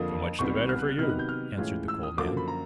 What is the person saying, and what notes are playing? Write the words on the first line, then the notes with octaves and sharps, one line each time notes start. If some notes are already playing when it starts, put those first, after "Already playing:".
"So much the better for you!" answered the Coal Man.
Already playing: F2 D3 F3 A#3 D#6
C2 C3 D#3 G3 B3 C#6
F6
F#6
F#6
C3 D#3 F#3 B3 D#4 F6
F#6
G6
F6
A2 E3 G#3 C#4 F4
E6
D#6
F#2 D3 F3 A#3 D6
B5
A#5